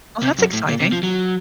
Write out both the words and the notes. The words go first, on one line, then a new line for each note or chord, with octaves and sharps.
Oh, that's exciting.
C3
F#2
A2
A#2
C3
F3
F#3